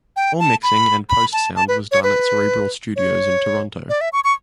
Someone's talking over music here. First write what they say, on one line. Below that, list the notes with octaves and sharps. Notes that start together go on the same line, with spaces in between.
All mixing and post sound was done at Cerebral Studios in Toronto.
G5
A5
B5
B5
A5
A5
B4
C#5
B4
C#5
D5
E5
C#6
C#6